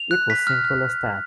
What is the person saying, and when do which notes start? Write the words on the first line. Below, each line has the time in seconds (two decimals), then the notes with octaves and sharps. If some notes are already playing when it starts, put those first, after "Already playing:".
It was simple as that.
Already playing: F7
0.11 F#6
0.30 B6
0.47 F6
0.65 F6